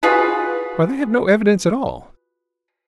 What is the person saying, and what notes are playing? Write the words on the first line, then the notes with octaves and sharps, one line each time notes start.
Why they have no evidence at all!
F4 F#4 G#4 B4